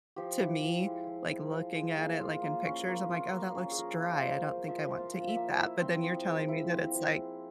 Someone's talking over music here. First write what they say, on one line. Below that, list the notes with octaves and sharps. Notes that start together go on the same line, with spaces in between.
to me, like, looking at it, like, in pictures, I'm like, "Oh, that looks dry. I don't think I want to eat that." but then you're telling me that it's, like,
F3 G4
E4
F3
G#3
F3
E4
F3
G#3
A#3 G#4
F4
A#3
C#4
A#3
F4
A#3
C#4
G#4
F3 A#4
F4
C5
F3
C5
A#3
F3 E5
F4
F5
F3
E5
A#3
E4 E5
C4
F3
G#3
E4
C4
F3
G#3